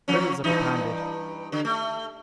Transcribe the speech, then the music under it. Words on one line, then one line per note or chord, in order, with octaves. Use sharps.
Riddles are propounded.
F3 F#3 C#4
G2 E3 D#4
D3
A3